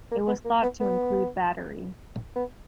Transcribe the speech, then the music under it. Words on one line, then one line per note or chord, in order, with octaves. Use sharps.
It was thought to include battery.
A#3
B3
A#3
B3
B3
B3